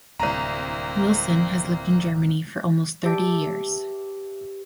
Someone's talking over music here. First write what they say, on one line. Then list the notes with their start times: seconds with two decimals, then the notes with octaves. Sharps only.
Wilson has lived in Germany for almost thirty years.
0.20 D1 C2 A#3 C4 A#5
3.05 G4 B4 E5 A5 D6